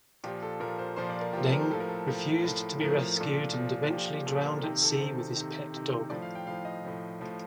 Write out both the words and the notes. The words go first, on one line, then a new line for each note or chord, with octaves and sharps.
Deng refused to be rescued and eventually drowned at sea with his pet dog.
A#2 F3 G4
A4
A#2 F3 A#4
C5
A#2 F3 C5
D5
A#4
A#2 F3 G4
A4
A#4
C5
A2 F3 A4
A#4
A4
A2 F3
A2 F3
A2 F3 A#4
A#2 F3 A4
A#2
F3
A#2 F3 G4
G4
A#2 F3 A4
A#4
C3 D#3 G4
A4
C3 D#3 C5
C3 D#3
C3 D#3
A2 F3 D5
F5
G5
A2 F3 F5
D#5
A2 F3
A2 F3